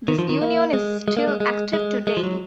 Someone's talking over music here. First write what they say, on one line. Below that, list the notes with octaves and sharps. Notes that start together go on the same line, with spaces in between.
This union is still active today.
D#3
F3
D#3
A#3
G#3
G#3
A#3
G#3
G#3
G#3
G#3
F3
F#3